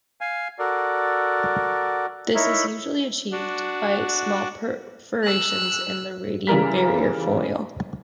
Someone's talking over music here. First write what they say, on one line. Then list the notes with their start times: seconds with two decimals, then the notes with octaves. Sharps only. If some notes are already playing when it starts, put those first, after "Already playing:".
This is usually achieved by small perforations in the radiant barrier foil.
0.21 F5 G#5
0.59 F#4 A4 A#4 D5
2.35 D#4 E4 A#4 C#5 E5
3.32 D4 F#4
5.24 E6 F#6
6.47 C#3 E3 G3 A#4 A#5 B6